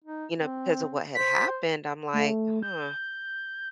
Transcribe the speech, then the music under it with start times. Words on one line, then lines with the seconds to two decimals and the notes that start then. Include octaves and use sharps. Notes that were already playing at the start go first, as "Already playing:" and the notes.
You know, because of what had happened, I'm like, "Huh"
0.04 D#4
0.37 C4
1.15 C5 B6
2.13 A3
2.63 G6